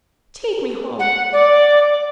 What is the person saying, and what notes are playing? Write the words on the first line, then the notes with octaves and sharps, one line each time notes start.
Take me home!
F#5
D5